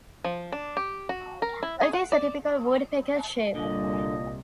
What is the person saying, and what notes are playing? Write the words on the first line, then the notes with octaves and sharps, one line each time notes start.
It is a typical woodpecker shape.
F3
D4
G4
F#4
A#4
E4
G#4
F#5
D5
C2 A#2 D3 D#5